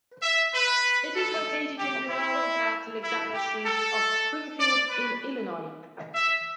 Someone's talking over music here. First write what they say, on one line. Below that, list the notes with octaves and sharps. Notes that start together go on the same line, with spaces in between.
It is located in the Roman Catholic Diocese of Springfield in Illinois.
E5
B4
A4
G4
E4
E4
G4
A4
D5
B4
E5